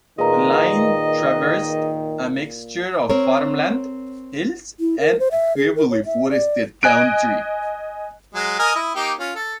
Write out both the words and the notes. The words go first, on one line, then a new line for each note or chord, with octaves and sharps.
The line traversed a mixture of farmland, hills and heavily forested country.
A#2 D#3 G#4 B4 D#5 A#5
C4 A#4 C#5
E4
A#4
C5
E5
G#4
A#4
C#5
E5
D5
D#5 G#5 F#6 D7
F#3 G#3
A#4 D#5 G#5
E4 D#6
A#3 D#4 G4
C#4 F4
A4